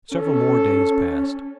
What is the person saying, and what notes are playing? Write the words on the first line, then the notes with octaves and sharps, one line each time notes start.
Several more days passed.
C#4 A4